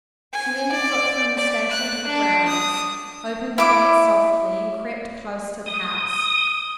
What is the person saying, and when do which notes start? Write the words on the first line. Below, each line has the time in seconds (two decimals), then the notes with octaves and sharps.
She went afoot from the station to the grounds, opened the gate softly and crept close to the house.
0.33 G#5
0.71 D5
1.37 D5
1.71 F#6
2.07 D4
2.47 D#6
3.58 E4 D6
5.66 D#6